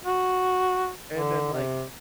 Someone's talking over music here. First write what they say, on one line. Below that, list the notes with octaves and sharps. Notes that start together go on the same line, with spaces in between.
and then, like
F#4
D3
C3